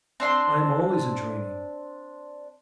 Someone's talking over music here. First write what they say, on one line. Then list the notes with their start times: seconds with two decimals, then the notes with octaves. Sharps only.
"I am always in training."
0.20 C4 D4 C6